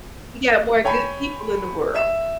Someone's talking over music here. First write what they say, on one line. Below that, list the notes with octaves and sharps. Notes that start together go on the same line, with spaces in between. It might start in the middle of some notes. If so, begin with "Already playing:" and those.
We got more good people in the world.
C#5 G5 G#5 B5
E5 E7